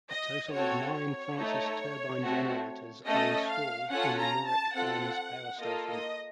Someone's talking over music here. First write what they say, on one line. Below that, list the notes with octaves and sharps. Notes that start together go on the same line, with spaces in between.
A total of nine Francis turbine-generators are installed in the Nurek Dam's power station.
D#5
C4 F#4 A4 C#5
C#5
A3 D#4 A4
A3 C4 F#4 A4
A3 C#4 A4 D#5
F5
C#4 F4 A4 F#5
A#5
A5
C4 F4 A4 F#5
A#3 F4 A4 D#5
D#5